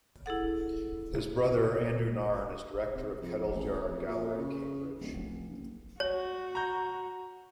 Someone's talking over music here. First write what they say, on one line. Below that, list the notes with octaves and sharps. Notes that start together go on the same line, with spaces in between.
His brother, Andrew Nairne, is Director of Kettle's Yard Gallery, Cambridge.
E4 G#4 A4 F#5
C3
F2
A1
F2
A#2
C#3
D1
F1
F#1
F#4 C#5
A#5 G6